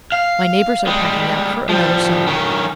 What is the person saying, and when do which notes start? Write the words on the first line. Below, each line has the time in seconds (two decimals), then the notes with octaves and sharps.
My neighbors are packing up for another summer.
0.12 F5
0.87 G3 G#3
1.69 F3 G3
2.27 D#3 C#4